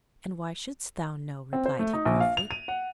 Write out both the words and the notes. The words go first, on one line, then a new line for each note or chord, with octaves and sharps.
"And why shouldst thou know?" replied he, gruffly.
C4
C5
A3
D#4
A#1
F5
F7
D#7
F#5